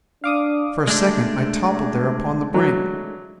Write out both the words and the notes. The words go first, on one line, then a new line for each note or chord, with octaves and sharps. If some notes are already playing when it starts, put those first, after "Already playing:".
For a second I toppled there upon the brink.
D4 F5 D6 D#6
G#3 A3 D4
F#3